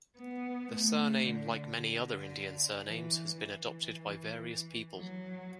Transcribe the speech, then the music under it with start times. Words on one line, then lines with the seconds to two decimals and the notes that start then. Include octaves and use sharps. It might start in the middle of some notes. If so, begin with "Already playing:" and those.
The surname like many other Indian surnames has been adopted by various people.
0.18 B3
0.72 A3
1.24 D3
1.78 D3
2.84 E3
3.37 E3
4.97 F#3